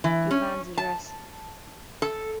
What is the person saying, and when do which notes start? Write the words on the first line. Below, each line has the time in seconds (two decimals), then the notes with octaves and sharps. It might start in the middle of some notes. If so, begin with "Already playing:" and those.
Do you have Anne's address?
0.04 E3
0.31 C#4
0.78 A5
2.02 A4